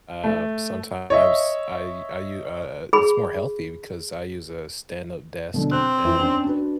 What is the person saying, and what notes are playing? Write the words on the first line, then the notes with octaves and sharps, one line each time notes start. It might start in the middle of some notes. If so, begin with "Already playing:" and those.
uh, sometimes I I u I, uh It's more healthy because I use a stand up desk and
A3
C#5 D#5 E5
G#4 B5
B2 D3 F#3
C4 F#6
F2 E3 F3
C#4 D4 G5
D4 F#4 B4